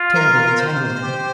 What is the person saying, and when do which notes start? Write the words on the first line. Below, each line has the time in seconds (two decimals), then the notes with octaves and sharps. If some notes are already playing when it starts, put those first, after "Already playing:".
Terrible entanglement!
Already playing: F4
0.14 A#4
0.58 C5
1.01 G4